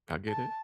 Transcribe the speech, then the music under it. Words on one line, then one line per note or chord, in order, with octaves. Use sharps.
I get it.
A5